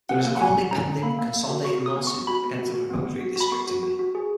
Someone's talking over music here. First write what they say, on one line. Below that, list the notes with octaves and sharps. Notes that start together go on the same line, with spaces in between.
There is a currently pending consolidated lawsuit against the proposed redistricting.
C#4 F#5
A#3
F#5
F#4 G#5
C#4
C#4 A#5
C#4
A#3 B5
A#3
A#3
F#4
F#4 C#6
F#4 D#6
B3
C#6
B3
F#4 B5
B3
F#4
F#4
B3
B3
F#4
F#4 B5
B3 C#6
F#4
F#4
F#4
G#4